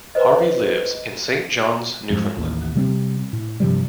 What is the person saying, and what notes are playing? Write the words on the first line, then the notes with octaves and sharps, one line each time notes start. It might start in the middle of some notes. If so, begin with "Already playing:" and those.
Harvey lives in Saint John's, Newfoundland.
B4 C5 D#5
F2 G#2 F3
A1 D#2
C3 G3 G#3 C4
A2
G2 C3 F3 G3